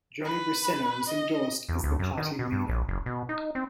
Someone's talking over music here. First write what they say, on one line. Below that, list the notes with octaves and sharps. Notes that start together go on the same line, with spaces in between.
Johnny Briceno was endorsed as the Party Leader.
B4
D#5
E2
D2
F#2
D#3
B2
G2
A#1
F#1
B2
D#4
C4